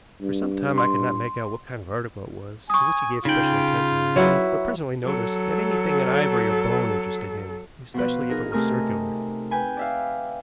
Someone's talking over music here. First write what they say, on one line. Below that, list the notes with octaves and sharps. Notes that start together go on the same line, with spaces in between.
For some time I could not make out what kind of article it was to which he gave special attention, but presently noticed that anything in ivory or bone interested him, especially if it were circular.
G2
C6
G#5 C#6 D#6
C#3 D#4 F4 G5 F#7
F#3 E4 B4
F#3 A4
B2 F3 B4
D#4 G#4 A#4
C3 A3 A#4 G#5 D#6 F6
B4 G5 G#5 B5
D5 E5 F5